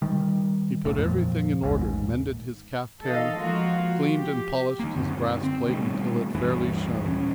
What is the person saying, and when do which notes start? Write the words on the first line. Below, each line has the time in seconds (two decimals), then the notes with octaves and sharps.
He put everything in order, mended his kaftan, cleaned and polished his brass plate until it fairly shone.
0.02 D#3 G3
0.85 B1 A2
0.98 F2 A#2
1.63 A1 D#2 G#2
3.02 D#3 E3 A4 D#5 F5
3.38 F3 G#3 A#3 F4 F#4
4.10 G4
4.79 D#3 A#3
4.96 F#2 D3 C4
5.43 C4
5.67 B2 D#3 G3 A3
6.35 D1 G2 E3
7.03 D#1 G3 C#4